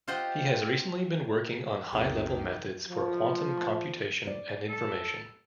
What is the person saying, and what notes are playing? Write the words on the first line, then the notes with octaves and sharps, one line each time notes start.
He has recently been working on high-level methods for quantum computation and information.
F4 G4 C5 D#5 F#5
B1 F2 B2 D#3 A#3 C4 G#4
F3
D5
A4